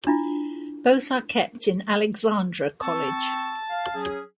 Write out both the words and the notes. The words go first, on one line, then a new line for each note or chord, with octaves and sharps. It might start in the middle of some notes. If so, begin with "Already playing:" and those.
Both are kept in Alexandra college.
D4 E4 F4
C4 A5 C#6 E6
F5
F#3 C#4 G#4